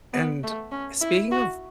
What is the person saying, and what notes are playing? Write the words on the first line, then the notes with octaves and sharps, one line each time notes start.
And speaking of,
B3
A3
C#4
E4
F#4